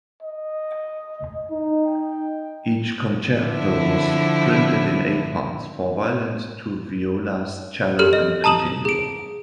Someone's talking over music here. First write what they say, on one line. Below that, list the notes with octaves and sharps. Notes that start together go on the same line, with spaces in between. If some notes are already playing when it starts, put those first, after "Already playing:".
Each concerto was printed in eight parts: four violins, two violas, cello and continuo.
D#5
D#4
G5
D3 F3 E4
G4 A4 F6 F#7
D#5
A5 A#5 D#6 E7 F#7
G#4 D7